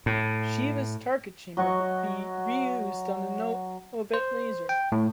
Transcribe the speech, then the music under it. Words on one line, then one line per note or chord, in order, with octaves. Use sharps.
Shiva's target chamber would be reused on the Novette laser.
A2
F#3 F#4 D#5 C#6
C5
G5
A2